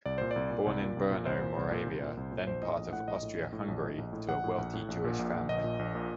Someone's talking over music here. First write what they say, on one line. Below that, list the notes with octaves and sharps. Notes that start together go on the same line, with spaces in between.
Born in Brno, Moravia, then part of Austria-Hungary, to a wealthy Jewish family.
C2 D5
A#2 C5
D5
C2
A#2
C2
A#2
C2
A#2
C2 C5
A#2
C2
A#2
C2
A#2
C2
A#2
A#1 C5
A2 D#5
A#1 D#5
A2 F#5
A#1 D#5
A2
A#1
A2
A#1
A2
A#1
A2
A#1 F#5
A2
A#1
A2
A#1
A#2
A#1
A#2
A#1 D#5
A#2
A#1
A#2